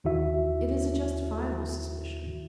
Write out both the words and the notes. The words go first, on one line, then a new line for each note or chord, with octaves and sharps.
It is a justifiable suspicion.
D#2 D#3 E4 F#4 E5